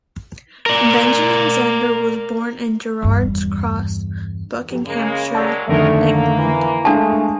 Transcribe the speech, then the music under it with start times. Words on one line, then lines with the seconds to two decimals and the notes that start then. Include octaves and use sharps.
Benjamin Zander was born in Gerrards Cross, Buckinghamshire, England.
0.66 A#4 D5
3.02 E2 G2
4.86 C#3 G#3 A#3
5.33 F#3 G#3 A#3 D5 A5 E6
5.68 F2 D3 D#3 G#3 A3 D#4 A#4
5.98 A#3
6.38 E3
6.85 G#3 A3 D4 F5 A5 D#6